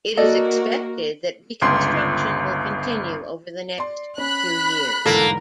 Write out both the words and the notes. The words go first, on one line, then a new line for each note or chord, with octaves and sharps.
It is expected that reconstruction will continue over the next few years.
A#3 F#4 A4 A#4 D5 D#5
G1 C#2 C6
D5 C6
C#4 B5 F#6
G1 E2 G#2 A#3 A4